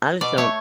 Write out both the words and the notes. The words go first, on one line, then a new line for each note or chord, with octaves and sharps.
I just don't
B2 D5
A3 C#5